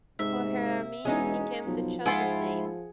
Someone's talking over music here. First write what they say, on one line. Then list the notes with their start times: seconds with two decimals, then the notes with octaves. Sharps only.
'Bohermeen' became the chosen name.
0.19 G#2 C3 E5
1.05 E1 G#3 B3 C#4 D#4
1.67 B1 F3
2.06 G#2 E4 F4 G#4 F#5